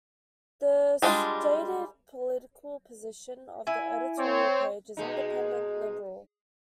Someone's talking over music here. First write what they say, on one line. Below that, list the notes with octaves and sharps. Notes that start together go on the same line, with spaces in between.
The stated political position of the editorial page is "independent liberal".
G3 G#3 D4 F4
E4 G#5
C4 C#5
B2 G#3 D#4